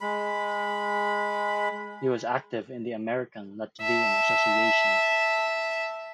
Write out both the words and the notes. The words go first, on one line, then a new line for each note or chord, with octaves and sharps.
He was active in the American Latvian Association.
G#3 B5
E5 A5